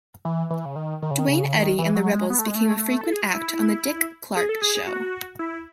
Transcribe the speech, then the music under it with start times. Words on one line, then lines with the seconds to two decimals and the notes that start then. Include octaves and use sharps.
Duane Eddy and the Rebels became a frequent act on The Dick Clark Show.
0.25 E3
0.50 E3
0.65 C#3
0.76 D#3
1.02 D#3
1.11 C#3
1.19 D#3
1.28 C#3
1.44 C#3
1.53 D#3
1.79 E3
1.96 F#3
2.13 G#3
2.30 B3
2.39 A3
2.48 G#3
2.55 A3
3.01 A4
3.12 G#4
3.22 F#4
3.33 E4
4.37 G#4
4.49 A4
4.62 G#4
4.75 G#4
4.87 F#4
5.39 E4